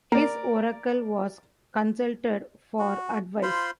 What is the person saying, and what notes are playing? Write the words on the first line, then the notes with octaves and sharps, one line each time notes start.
His oracle was consulted for advice.
A#3 A#4 D5
F#4
F4 C5 B5 C6